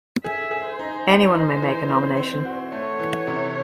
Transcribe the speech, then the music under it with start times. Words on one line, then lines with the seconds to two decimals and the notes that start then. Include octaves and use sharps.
Anyone may make a nomination.
0.24 G#4 E5
0.51 G#4
0.66 C5
0.79 D#4
1.07 D#4
1.35 D#4
1.62 E3
1.89 C4
2.17 C4
2.45 F#4
2.72 A3 C#5
2.99 E3
3.27 C3